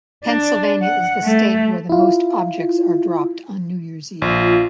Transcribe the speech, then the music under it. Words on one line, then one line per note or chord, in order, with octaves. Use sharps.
Pennsylvania is the state where the most objects are dropped on New Year's Eve.
D4
F#5
A3
E4 F4
A#1 F4